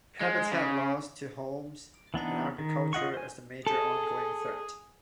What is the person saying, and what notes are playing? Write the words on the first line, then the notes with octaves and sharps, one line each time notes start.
Habitat loss to homes and agriculture is the major ongoing threat.
G#3
C#3
E3 B3 D4 D#4
D#3
F4 D#5 F#5 C#6
C5 G#5
G#4 A4